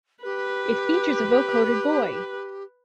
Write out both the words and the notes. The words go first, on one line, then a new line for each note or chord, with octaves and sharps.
It features a vocoded Boy!
G4 B4